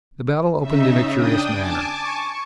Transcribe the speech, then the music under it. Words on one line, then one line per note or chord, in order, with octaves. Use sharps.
The battle opened in a curious manner.
C#3 D#4 E5
D4 G5 D#6
G#5 A5 D6
C#6